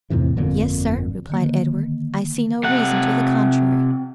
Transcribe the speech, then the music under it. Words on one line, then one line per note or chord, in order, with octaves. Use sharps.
"Yes, sir," replied Edward; "I see no reason to the contrary."
E2 A2 C3 E3
G1 F2 A#2 D3
D3 D#3 A#3
C3 F#5